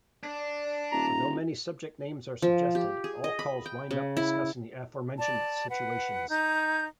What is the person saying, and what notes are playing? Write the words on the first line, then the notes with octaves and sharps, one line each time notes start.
Although many subject names are suggested, all calls wind up discussing the aforementioned situations.
D4
D#1 A#5
F3
G4
G#4
D#5
B5
G5
C#3
E4
D5 A5
B4 F#5
D#4 G6